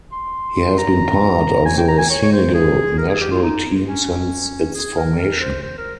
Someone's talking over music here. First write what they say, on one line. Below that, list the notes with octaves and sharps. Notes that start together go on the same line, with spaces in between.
He has been part of the Senegal national team since its formation.
C6
A#5
G#5
G5
A#5
G#5
C#5
C#5
C5
G#4
A#4
G#4
G4
F4
D#4
C#4
G#4
A#4
A#4
C5
C5
A#4